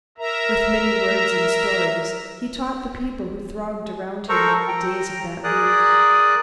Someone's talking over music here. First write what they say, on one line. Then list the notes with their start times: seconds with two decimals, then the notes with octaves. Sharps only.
With many words and stories he taught the people who thronged around him on the days of that week.
0.18 A#4 E5 A#5
4.29 A4 A#4 C5 A#5 C#6
4.68 G5 A#5
5.44 G#4 A#4 D5 D#6 F#6